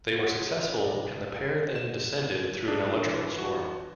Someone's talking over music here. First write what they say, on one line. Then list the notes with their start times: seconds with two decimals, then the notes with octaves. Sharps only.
They were successful and the pair then descended through an electrical storm.
0.19 E4 G#4 C5 C#5 F#5
0.62 C#4 F4 B4
0.75 D4 G4 A4 B4 D5 D#5
1.76 E7
2.68 D4
3.05 E3
3.38 F#4